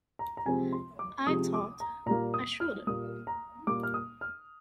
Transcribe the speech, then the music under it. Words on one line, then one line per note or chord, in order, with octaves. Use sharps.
I thought I should.
A#5
A#5
C3 F3 G#3 C4 G#5
C6
D6
C3 F3 G#3 C4 D#6
D6
A#5
A#2 G3 A#3 A#5
D#6
F6
A#2 G3 A#3 D#6
A#5
A#2 G3 A#3 D6
F6
D#6
F6